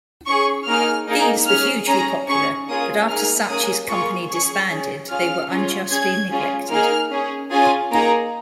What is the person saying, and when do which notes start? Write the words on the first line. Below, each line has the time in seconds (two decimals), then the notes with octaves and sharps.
These were hugely popular, but after Sacchi's company disbanded, they were unjustly neglected.
0.27 C#4 G#4 C#6
0.67 A#3 D#4 G#4 F6
1.08 A#3 D#4 G#4
1.48 C#4 G#4 F6
1.88 C#4 G#4 A#5
2.28 C#4 G#4 C#6
2.68 A#3 C#4 F4 G#4 D#6
3.08 A#3 D#4 G#4 F6
3.49 A#3 C#4 G#4 D#6
3.89 A#3 F4 G#4 C#6
4.30 C#4 G#4 C#6
4.70 C#4 G#4
5.10 C#4 F4 G#4 F6
5.50 C#4 F4 G#4
5.90 C#4 G#4 G#6
6.31 C#4 F4 G#4
6.70 A#3 D#4 G#4 F6
7.11 C#4 G#4
7.52 C#4 F4 G#4 G#5
7.91 A#3 D#4 G#4 A#5